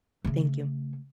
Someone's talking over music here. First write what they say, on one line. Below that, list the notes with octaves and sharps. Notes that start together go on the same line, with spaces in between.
Thank you.
C#3 A3